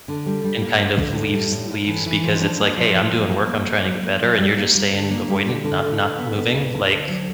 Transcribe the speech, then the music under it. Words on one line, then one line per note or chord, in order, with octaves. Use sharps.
and, kind of leaves leaves because, it's like, "Hey, I'm doing work, I'm trying to get better, and you're just staying avoidant not not moving, like"
D3
G3
G3
A#3
A#3
D3
A2
G3
A2
A2
E3
E3
F3
D4
A#3
F3
F3
A#3
A#3
A#3
A#3
F#3
A#3
F#3
G3
A#3
G3
D3
A#3
G3
D3
D3
D3
D3
B3
B3
D2
D2
D2
F#3